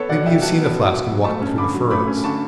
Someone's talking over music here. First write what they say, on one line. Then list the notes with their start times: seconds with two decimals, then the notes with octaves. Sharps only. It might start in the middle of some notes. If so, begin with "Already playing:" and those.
Maybe you've seen a flask in walking through the furrows?'
Already playing: B3 A4 C#5
0.09 B2 D5 F#5
0.25 B2 E5 G5
0.42 F#3 F#5 A5
0.59 B3
0.75 B2
0.92 B2
1.08 F#3
1.24 A3 A5 C#6
1.42 C#4
1.58 D3 B5 D6
1.74 F#3
1.91 A3 B5 D6
2.08 C#4
2.24 D3 A5 C#6